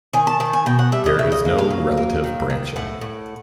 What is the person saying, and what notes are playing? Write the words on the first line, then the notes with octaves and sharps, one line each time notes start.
There is no relative branching.
D#3 G#5
A5
D#3 A5
G#5
B2 G5
F#5
G3 E5
D#5
C#3 E5
D#5
A#3
F5
F#3
A#3
D#3
D#3
A2 F#5
A2